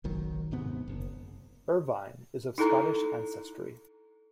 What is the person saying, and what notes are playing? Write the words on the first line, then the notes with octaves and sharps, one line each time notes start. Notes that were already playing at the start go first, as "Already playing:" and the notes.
Irvine is of Scottish ancestry.
F#1 B1 D#3 F#3
D#1 G#2 C3 B3
F#1
D#4 E4 A4 A#5